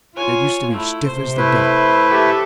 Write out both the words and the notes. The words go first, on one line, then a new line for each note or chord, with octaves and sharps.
It used to be stiff as the devil.
F4 C#5 G#5
A3 E4
C3 C5
A3 E4 B4
G4 A4 E5